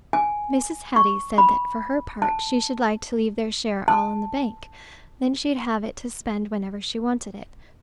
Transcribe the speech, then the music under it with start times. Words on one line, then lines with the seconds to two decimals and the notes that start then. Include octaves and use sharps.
Mrs. Hattie said that, for her part, she should like to leave their share all in the bank: then she'd have it to spend whenever she wanted it.
0.13 G#5
0.96 C#6
1.38 B5
2.22 A5
3.88 A5